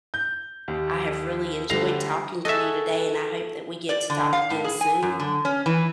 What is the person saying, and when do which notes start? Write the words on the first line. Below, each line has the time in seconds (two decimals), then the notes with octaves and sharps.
I have really enjoyed talking to you today, and I hope that we get to talk again soon.
0.14 G6
0.68 D#2
1.70 D3 G3 A3 A#6 C7 F7
2.45 F#4 G#4 A4 D#5 E5
3.89 D5
4.10 D3
4.33 F5
4.50 A2
4.64 G#4
4.81 G#5
5.03 F#2
5.20 D3
5.45 C#4
5.66 E3